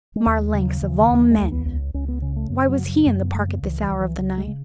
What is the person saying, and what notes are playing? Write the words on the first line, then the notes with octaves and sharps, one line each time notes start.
Marlanx, of all men! Why was he in the park at this hour of the night?
G#3
D#2 A3
C#3 G#3
F#3
D#2 E3
D#3
D#2
E3
G#3
C#2 A3
B3
C#2 B3
C#2 C#4
B3
C#3 C#4
A3
F#2
F#3
C#3
F#3
F#2 G#3
B3
C#3 A3
B3
C#2 E3
E3
C#2
E3
C#3 F#3
G#3
C#3